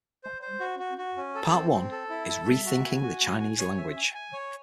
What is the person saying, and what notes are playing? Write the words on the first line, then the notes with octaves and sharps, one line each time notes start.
Part One is Rethinking The Chinese Language.
C5
C5
F#4
F#4
F#4
C#4
A4
C4
C4
A4
E4
A4
E5
F#4
G#5
F#4
G#5
G#5
C#5
E5
G#5
G#5
C#5